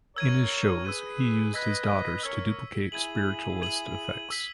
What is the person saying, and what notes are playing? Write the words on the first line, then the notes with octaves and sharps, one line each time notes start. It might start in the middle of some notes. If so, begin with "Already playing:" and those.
In his shows, he used his daughters to duplicate spiritualist effects.
A#4 C#5 E6 G#6 D#7
G#4 B4 E6 G#6 D#7
B4 D#5 E6 G#6 B6
A#4 C#5 E6 G#6 B6
E4 G#4 G#6 D#7 F#7
G#6 D#7 F#7
E6 B6 F#7